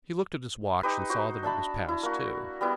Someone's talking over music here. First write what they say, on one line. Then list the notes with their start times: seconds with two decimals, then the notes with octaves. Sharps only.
He looked at his watch and saw that it was past two.
0.83 D#4 G4 B4
1.10 F#4 C5
1.43 D4 E5 A5 B5
1.89 E4
2.03 A#3 F#4
2.61 G3 B3 E4